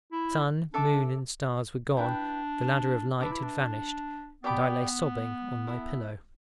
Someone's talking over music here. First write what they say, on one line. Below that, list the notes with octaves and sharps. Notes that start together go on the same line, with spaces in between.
Sun, moon, and stars were gone; the ladder of light had vanished; and I lay sobbing on my pillow.
E4
D4 A4 E5 A5 D6
D4 E4 B4 G5
D4 B4 E5 A5 D6
E4
D4
B3 G4 D5 B5 D6
E4 A4 E5